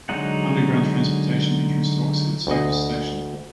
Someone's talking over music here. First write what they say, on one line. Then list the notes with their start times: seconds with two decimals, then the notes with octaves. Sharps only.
Underground transportation entrance to Oxford Circus Station.
0.09 D3 F#3 G#3 D#4 F#5
2.47 D2 D#5